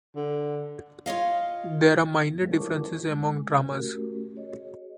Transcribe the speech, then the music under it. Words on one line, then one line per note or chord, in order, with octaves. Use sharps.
There are minor differences among dramas.
D3
F4 C#5 D#5 F5
E4 A#4 A5 C#6 D6
G#3
A3 C#4 F#4 G4 A#4
F#4 G#4 C#5 D#5